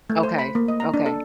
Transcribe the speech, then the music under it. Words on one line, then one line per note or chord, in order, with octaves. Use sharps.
Okay. Okay.
A3
C5
B5
A#3
D#5
A#5
D4
A4